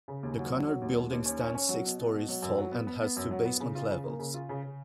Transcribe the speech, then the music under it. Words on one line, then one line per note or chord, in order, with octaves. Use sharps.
The Cunard Building stands six storeys tall and has two basement levels.
C#3
D#2
F#3
F#3
F#3
D#2
D#2
D#2
C#4
C#4
C#4
F#3
B2
B2
B2
F#3
F#2
F#3
B3
B3
B3
F#2
F#3
B3
C#3
F4
C#3
A#3
C#3
F4
C#3
C#3